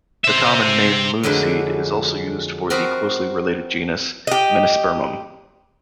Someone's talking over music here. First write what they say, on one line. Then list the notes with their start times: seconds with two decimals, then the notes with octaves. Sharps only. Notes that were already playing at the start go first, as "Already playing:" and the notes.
The common name Moonseed is also used for the closely related genus "Menispermum".
0.24 C5 E5
1.23 F2 D3 F#3 G#3 B4
2.70 C4 F#4 A#4 D#5 A5 B5
4.27 G4 D#5